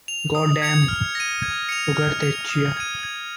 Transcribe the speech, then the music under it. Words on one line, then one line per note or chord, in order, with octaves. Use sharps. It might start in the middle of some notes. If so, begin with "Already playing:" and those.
God damn Ugartechea.
F7
D#6
G#6 C#7 F7
F6
A#6 D#7
G#6
C#7 F7
F6
C#7 F7
D#6
G#6 D#7
G#6